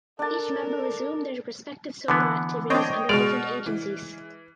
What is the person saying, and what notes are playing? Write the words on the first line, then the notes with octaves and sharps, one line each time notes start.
Each member resumed their respective solo activities under different agencies.
D4 A4 A#4 A5
D3 E3 B3
C4 D4 C#5 D#5 G5
B2 G#3 D5 F6 F7
E3